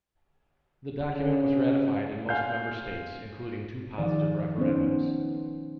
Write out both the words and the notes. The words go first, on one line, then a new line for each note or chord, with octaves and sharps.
The document was ratified in most member states, including two positive referendums.
C#3
F5 G#5 C6 G6
D#3 F3 D5
B3 C#4 D#4 C5